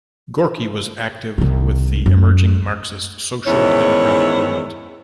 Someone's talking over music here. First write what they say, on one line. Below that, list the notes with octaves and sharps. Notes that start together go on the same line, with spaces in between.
Gorky was active with the emerging Marxist social-democratic movement.
C2 D#3
F#2
E2 G#2 D#3 C#4 E4 C#5